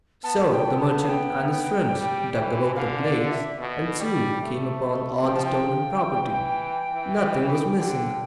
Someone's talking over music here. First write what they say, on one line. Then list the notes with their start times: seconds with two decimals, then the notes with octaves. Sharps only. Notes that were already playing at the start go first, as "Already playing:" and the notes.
So the merchant and his friends dug about the place, and soon came upon all the stolen property. Nothing was missing.
0.23 B3 A5
0.52 G5
0.65 B3
0.80 A5
1.02 F5
1.07 G5
1.91 G3
2.33 E3
2.75 D3 F5
3.03 D5
3.31 E5
3.58 B2
4.00 G3
4.43 A3
5.25 F3 G5
5.34 A5
5.43 G5
6.10 E3
6.93 E3
7.77 D3